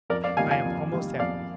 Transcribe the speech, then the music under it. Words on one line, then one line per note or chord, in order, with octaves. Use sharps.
I am almost happy.
F2 A#4 D5
D5 F5
D#3 G3 A#3 F5 G#5
F5 G#5
F2
D#3 G3 A#3
F2 D5 F5